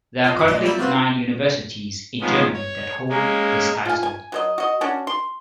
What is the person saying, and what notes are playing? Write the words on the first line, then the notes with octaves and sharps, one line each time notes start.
There are currently nine universities in Germany that hold this title.
F4 D#5
F#2 B5
A1 A#2 D5 D#5 D#7
G3 A#3 E4 G4 D5 E5
C4 F4 F#4 B4 C5
D#3 F3 G#3 B3 C#4
C#5
G#3 A#3 C#4
F4 G#5
G#5
F#3 C5 D#5
F#4 D#5
C#4 D4 F#4
C6